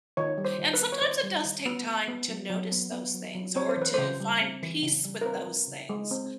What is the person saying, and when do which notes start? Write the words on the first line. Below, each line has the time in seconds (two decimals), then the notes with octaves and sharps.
and sometimes it does take time to notice those things or to find peace with those things,
0.17 D#3 C#5
0.38 G3
0.45 C5
0.59 D#3
0.74 B4
0.80 B3
0.92 C#5
1.01 D#3 C5
1.23 G3
1.45 D#3
1.66 B3
1.87 B3
2.08 B3
2.28 F#3
2.50 F#3
2.72 B3
2.92 B3
3.14 F#3
3.35 F#3
3.56 C4 C#5
3.69 C5
3.77 E3 B4
3.94 C#3 C5
4.20 G3
4.41 C4
4.63 E3
4.83 C#3
5.05 G3
5.21 A#4
5.25 C4 B4
5.47 F3
5.67 C#3
5.89 G#3
6.11 C4